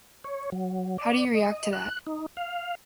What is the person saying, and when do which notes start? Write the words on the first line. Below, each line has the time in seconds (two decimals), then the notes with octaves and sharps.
How do you react to that?
0.24 C#5
0.52 F#3
0.98 D5
1.35 D#5
1.73 F#6
2.07 D#4
2.37 F5